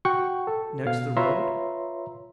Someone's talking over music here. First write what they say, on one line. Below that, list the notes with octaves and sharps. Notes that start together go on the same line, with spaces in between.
"Next the road?"
F#4 F#5 G5 C#6
A4
B2 F5
F4 B4 C#5 E5 A#5 C6